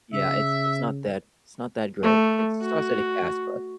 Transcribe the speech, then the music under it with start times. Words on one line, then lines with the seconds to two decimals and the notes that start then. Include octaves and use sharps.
Yeah. It's it's not that it's not that great. It stars Eddie Cass, but
0.13 C#3 E5
2.03 A3
2.61 F#4